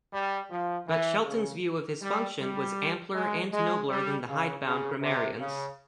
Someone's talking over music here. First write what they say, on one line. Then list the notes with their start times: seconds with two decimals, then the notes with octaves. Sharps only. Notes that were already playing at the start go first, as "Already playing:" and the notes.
But Shelton's view of his function was ampler and nobler than the hidebound grammarian's.
0.12 G3
0.51 F3
0.88 E3
1.25 C#3
2.01 G3
2.39 G3
3.14 G#3
3.52 G#3
3.89 G3
4.27 C#3
4.65 C#3
5.02 C3
5.39 C#3